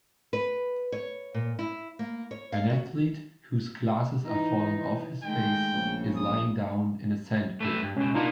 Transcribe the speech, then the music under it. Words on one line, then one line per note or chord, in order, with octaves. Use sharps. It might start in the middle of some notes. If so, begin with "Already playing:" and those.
An athlete who 's glasses are falling off his face is lying down in a sandpit.
B4
C#5
A#2
E4
A#3
C#5
F5
F#4
E3 D#4
D#3 G#3 A3 G5
A#1 C#3
D#6
A3 B4 E5
G2
C#2 B2 C#4
B2 A#3 B3 D4 D#4 F4